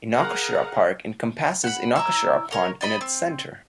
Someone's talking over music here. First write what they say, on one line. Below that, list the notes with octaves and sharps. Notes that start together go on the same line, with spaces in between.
Inokashira Park encompasses Inokashira pond in its center.
G#4 A#4 F5 F#5 A#5
F#5 B5
E4 E5 A#5
C#4 A#4 C#5
D5 D#5 B5
C4